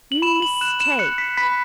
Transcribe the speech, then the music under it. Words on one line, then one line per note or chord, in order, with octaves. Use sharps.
You mistake.
F#7
B5 E7
F#7
F#6 E7
E7
F#6 C#7
B6
B5 B6